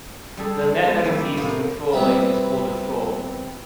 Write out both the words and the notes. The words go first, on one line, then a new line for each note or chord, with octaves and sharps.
The net that is used for trawling is called a trawl.
G3 G#4 A4
G#3
G#3 B3
D#3 F#3 G3 E4 B4
D5
A2 C3 A#3 B3
G3 B3 C4 E4